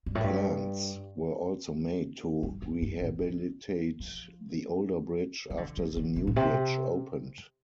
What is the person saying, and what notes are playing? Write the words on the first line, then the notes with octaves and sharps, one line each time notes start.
Plans were also made to rehabilitate the older bridge after the new bridge opened.
G2
A2
G2
G2
F2
G2
A2
D3
F3
F3
D3
F3
D3
C3
A2
C3